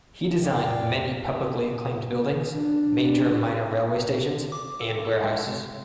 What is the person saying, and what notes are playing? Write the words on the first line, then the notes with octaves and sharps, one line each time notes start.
He designed many publicly acclaimed buildings, major and minor railway stations, and warehouses.
F2 D5 F5 G5
D4
D6
A4
A4
G#3